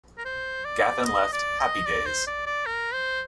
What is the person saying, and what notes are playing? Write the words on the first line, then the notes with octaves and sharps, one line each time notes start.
Gavan left "Happy Days".
A#4
C5
D5
D#5
D5
D#5
D5
C5
D5
D5
A#4
C5